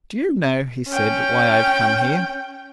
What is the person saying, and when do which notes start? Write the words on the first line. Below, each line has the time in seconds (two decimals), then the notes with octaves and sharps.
"Do you know," he said, "why I have come here?"
0.88 C#4 G5